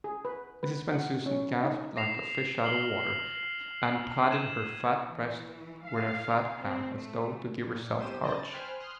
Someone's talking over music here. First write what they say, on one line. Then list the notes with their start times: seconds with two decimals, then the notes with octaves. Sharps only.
Mrs. Bensusan gasped like a fish out of water, and patted her fat breast with her fat hand, as though to give herself courage.
0.04 G#4
0.25 B4
0.63 B4
0.92 F#5
1.26 C#4
1.64 D#4
1.97 A#6 C7 E7 F7
2.63 F6 C7 F#7 G7
4.31 G#6 D#7 E7
5.10 E3
5.86 F5
6.60 C4
6.96 A3
7.71 A#2 A#3
7.98 C2 B3 G4 C5 D#7 E7
8.23 C#3 D5 D#5 A5 G6 A#6
8.35 A6
8.53 C5 G5 G#5 B5 F6 F#6
8.80 C6 D#6 F6 F#6